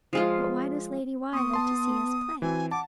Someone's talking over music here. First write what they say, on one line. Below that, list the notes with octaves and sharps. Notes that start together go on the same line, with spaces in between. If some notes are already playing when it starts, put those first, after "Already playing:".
But why does Lady Why like to see us play?
F3 G#3 F4
B3 C6 C#6 D#6
A5 C6
E3 C4 F#4 G#5
F#5 A5 D6